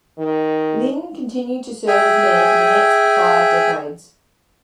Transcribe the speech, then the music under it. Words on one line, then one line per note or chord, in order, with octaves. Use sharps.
Linn continued to serve as mayor for the next five decades.
D#3
G#4 E5 G5 G#5